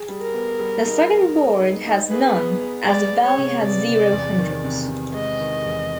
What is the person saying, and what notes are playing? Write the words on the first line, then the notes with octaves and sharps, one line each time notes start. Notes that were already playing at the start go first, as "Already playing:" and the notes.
The second board has none, as the value has zero hundreds.
Already playing: G#4
G3
A#4
B3
G3
D#4
G#4
G#4
D#4
D#4
G#4 B4
B3
G#4
G#3 D5
G#3
C#5
C3
C3 D5
C3
E2
D#3
C3
C3
G#3 D#5
D#3
E2